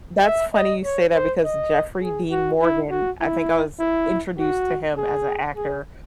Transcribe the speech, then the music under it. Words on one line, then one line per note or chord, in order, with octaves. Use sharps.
that's funny you say that because Jeffrey Dean Morgan, I think I was introduced to him as an actor
E5
D#5
C#5
C5
D#5
G#4
F#4
E4
F#4
E4
E4
F#4
G#4
G#4